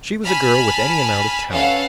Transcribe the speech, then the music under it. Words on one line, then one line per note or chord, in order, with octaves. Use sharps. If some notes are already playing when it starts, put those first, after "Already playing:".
She was a girl with any amount of talent.
G#5 A5 B5 F6
C#4 A4 B4 F5 F#5